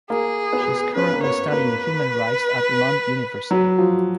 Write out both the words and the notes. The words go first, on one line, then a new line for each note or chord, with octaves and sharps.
She is currently studying human rights at Lund University.
A#3 G#4
B3
C#4 B4
A#3
B3 C#5
A#3 B4
F#3
F3